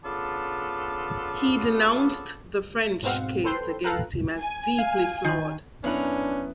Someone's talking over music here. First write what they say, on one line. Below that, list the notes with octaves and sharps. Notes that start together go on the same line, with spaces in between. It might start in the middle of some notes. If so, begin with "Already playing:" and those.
He denounced the French case against him as deeply flawed.
C#3 B3 D4 F4 A4
G#2 B2 C4 F5 F#5
A4 B4 C5 G5 C6
A4 B4 F5 G5 A#5 F#6
G#5
F5
D#3
F#2 B3 C#4 D4 E4 B4 F#5 A#5